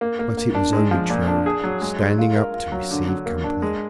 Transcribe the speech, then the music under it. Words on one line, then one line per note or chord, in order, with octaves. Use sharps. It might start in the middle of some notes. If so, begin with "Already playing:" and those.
But it was only True, standing up to receive company.
A#3
A#3
A#3
D4
G#3
F3
A#2
D4
G#4
F#3
G#3
G#3
F4
A#4
F4
F#3
D3
F#3
A#3
D4
G#3